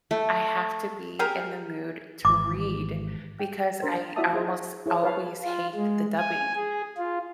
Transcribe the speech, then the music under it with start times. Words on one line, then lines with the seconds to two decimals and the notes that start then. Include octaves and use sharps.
I have to be in the mood to read because I almost always hate the dubbing.
0.11 A3
1.19 G4 G#4 A#4
2.25 G#1 E3 D6
3.40 G5
3.82 D4 A#4 C5
4.16 E4 F#4 D5 E5 A5 D#6
4.33 F4 G#4 C5 D#5
4.86 E4 G#4 C#5
5.03 B4 C#5 F5 A5 B5
5.43 F4
5.75 G#3
6.17 G#5
6.56 G#4
6.97 F4